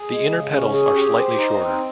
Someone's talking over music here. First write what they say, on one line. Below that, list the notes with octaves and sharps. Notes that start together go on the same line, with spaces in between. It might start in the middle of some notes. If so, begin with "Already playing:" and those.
The inner petals are slightly shorter.
Already playing: G#4
G#3
C#3
C#4
G#4
G4
C5
D#4
C4